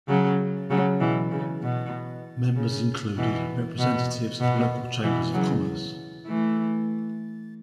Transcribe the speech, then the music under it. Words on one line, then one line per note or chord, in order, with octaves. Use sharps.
Members included representatives of local chambers of commerce.
C#3 F#3
C#3 F#3
B2 E3
C#3
B2
C#3
B2 E3
B2
B2
B2 E3
C#3 F#3
E3 A3